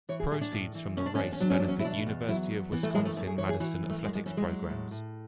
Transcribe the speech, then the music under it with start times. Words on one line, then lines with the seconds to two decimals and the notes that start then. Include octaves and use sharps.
Proceeds from the race benefit University of Wisconsin-Madison athletics programs.
0.09 E3 C#5
0.20 G#4
0.31 A2 G#4
0.41 D4
0.52 A2
0.75 E3
0.97 B2 C#4
1.06 D4
1.15 C#4
1.19 E2 D4
1.32 C#4
1.40 F#3 D4
1.50 C#4
1.60 E2 D4
1.68 C#4
1.79 E4
1.84 B2 D4
2.06 E2
2.28 F#3 E4
2.51 E2
2.72 E3 B3
2.83 A3
2.94 F#2 G#3
3.05 A3
3.16 F#2 A3
3.27 G#4
3.38 E3 C#5
3.49 G#4
3.60 E3 F#4
3.83 F#2
3.90 A3
4.04 F#2 G#3
4.15 G#3
4.26 E3 C#4
4.37 G#3
4.48 F#3 G#3
4.70 A2
4.91 A2